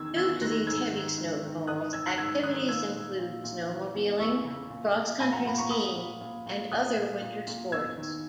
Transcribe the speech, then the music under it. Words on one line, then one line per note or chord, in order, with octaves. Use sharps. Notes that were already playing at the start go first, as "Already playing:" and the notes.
Due to these heavy snowfalls, activities include snowmobiling, Cross-country skiing and other winter sports.
Already playing: E2 D#3 E6 G#6
E2 E6 G#6
D#3 F#6 A#6
G#2 E6 G#6
D#3
G#2
D#3
G#2 D#6 F#6
D#3 E6 G#6
F#6
G#2 E6 G#6
D#3 D#6 F#6
A#2 E6 G#6
A#2
A#2
A#2
E3
E2
E2 C#6 E6
C#3
A#2
A#2
A#2 G#5 B5
F#5 A#5
A#2 B5
A#5 C#6
A#2 B5 D#6
A#2
A#2
A#2
A#2 D#6 F#6
A#2
A#2
A#2
E2 E6 G#6
D#3